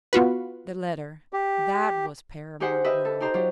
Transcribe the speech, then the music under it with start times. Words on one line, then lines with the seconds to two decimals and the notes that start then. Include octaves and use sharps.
The letter--that was paramount now.
0.13 B3 F4 F#4 B4
1.33 G4
2.60 D#4 G4 G#4 C5 F#5
2.84 G4 B4 D#5 E5
3.05 A4
3.20 D#4 G4 C5 A#5
3.34 F#3 F4 G4